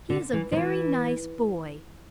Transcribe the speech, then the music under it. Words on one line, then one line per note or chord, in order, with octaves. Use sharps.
He is a very nice boy.
D3
E3
F3
E3